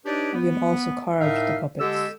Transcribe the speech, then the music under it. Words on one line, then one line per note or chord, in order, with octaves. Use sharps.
William also carved the puppets.
D4 D#4 G4 B4 C#5 D5
B3
A2 D#4 A#4 E5 F5
D3 G#3 G4 A4 E6